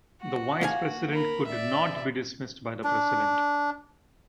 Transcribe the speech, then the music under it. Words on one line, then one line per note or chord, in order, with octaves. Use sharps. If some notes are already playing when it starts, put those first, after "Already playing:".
The Vice President could not be dismissed by the President.
F#4
A#3 F5 G#5
A#4 B5
D5 E5
D4